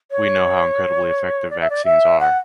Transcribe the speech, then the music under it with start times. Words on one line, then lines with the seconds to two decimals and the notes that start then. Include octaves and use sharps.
We know how incredibly effective vaccines are.
0.11 C#5
1.50 D5
1.61 E5
1.70 D5
1.85 E5
2.20 F#5